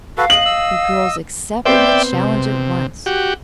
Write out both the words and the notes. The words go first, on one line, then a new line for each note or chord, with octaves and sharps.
The girls accepted the challenge at once.
F#4 A4 B4 F5
D#5 F#7
D#5 E6
B3 C4 C5 D5 E5 G5
C3
F#4 G4